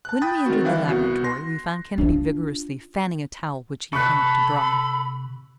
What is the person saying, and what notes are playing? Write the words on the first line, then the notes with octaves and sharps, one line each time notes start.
When we entered the laboratory we found Kennedy vigorously fanning a towel which he had hung up to dry.
A5 F#6
G5 B5 D#6 F#6 G6 A6
D#3 C4 F#4
D#3 E3 G3 E4 F5 F#6
C2 B3 F#4
C6 A#6
D4 F4
C3 A4 B5 C#6 F#6